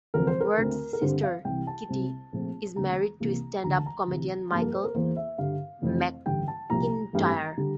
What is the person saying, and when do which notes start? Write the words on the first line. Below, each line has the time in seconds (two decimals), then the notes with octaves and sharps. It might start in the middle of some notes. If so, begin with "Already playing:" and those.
Ward's sister, Kitty, is married to stand-up comedian Michael McIntyre.
0.14 E1 D2 C3 F3 C4 A#4
0.27 C5
0.40 A#4
0.58 D2 D3 A3 C4
0.93 A#4
1.01 G2 D3 G3 C4 C5
1.23 F5
1.45 C2 C3 E3 G5
1.67 A5
1.89 C2 C3 G3 C4
2.33 A#1 A#2 A3 C4
2.76 E1 E2 D3 A3 C4 A#5
3.20 C2 C3 E3 A#3
3.63 E1 D2 D3 A#5
3.75 A5
3.86 A#5
4.08 D2 C3 E3
4.51 G2 F3 A#3 A5
4.62 A#4
4.73 C5
4.84 A#4
4.95 E2 E3 A#3 C5
5.16 E5
5.38 G2 D3 G3 F5
5.82 F1 F2 E3 A3 C4
6.26 A1 G2 D3 G5
6.48 A5
6.70 C2 A#2 F3 A#3 A#5
7.13 A1 G2 E3 A3 C4
7.58 D3 G3